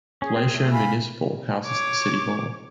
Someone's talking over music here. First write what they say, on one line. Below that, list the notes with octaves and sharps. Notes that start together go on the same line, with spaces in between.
Palacio Municipal houses the City Hall.
C#4 G#4
C4
A3
F5 G#5 B5
C#5 D6